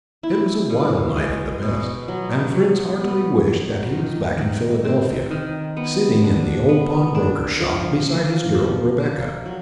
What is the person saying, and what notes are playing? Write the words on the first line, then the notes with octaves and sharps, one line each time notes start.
It was a wild night at the best, and Fritz heartily wished that he was back in Philadelphia, sitting in the old pawnbroker-shop, beside his girl, Rebecca.
E4
B2
G#3
B2
F#3
F#3
B3
F#3
D#3
D#3
C4
D#3
B3
D4
B3
D4
F3
A#3
F3
A#3
F#3